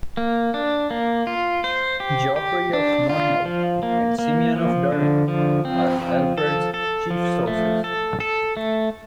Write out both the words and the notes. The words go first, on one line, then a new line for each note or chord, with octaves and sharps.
Geoffrey of Monmouth and Simeon of Durham are Alfred's chief sources.
A#3
D4
A#3
F4
C5
G4
G4
D4
F4
F3
A#3
A#3
F3
D3
F3
C4
F3
A4
A4
F3
A3
A4
A4
A3